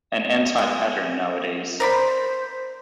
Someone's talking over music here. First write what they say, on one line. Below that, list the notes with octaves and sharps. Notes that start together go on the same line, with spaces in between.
An anti-pattern nowadays.
G#3
A#4 C5 D5 B5